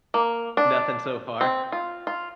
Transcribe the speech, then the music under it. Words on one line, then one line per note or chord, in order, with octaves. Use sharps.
Nothing so far?
A#3
D4
C4
F4
F4